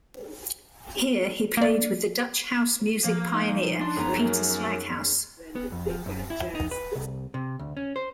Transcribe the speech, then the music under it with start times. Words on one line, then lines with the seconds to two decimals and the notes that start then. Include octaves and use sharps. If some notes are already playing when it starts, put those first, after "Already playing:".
Here he played with the Dutch House music pioneer Peter Slaghuis.
1.57 A#3 D5
3.04 F3 A#3
3.34 D#4 G#5
3.81 D4 C6
3.96 C#2 F#2 B3 G#4 A#5
4.16 F#3 A#4
5.56 B3
5.72 F2
5.90 F3
6.06 F#2
6.30 E4
6.55 D#4
6.71 B4
6.95 C2
7.34 C3
7.59 D2
7.77 C#4
7.96 C5